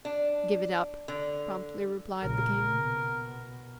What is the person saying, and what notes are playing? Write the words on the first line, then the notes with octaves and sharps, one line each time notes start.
"Give it up," promptly replied the King.
D4
D3
A#1 C#3 A#4
B2